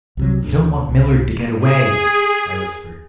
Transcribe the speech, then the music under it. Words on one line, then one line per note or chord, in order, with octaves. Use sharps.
"You don't want Millard to get away," I whispered.
C2 C3 F#3
D2 D4
C2
G#4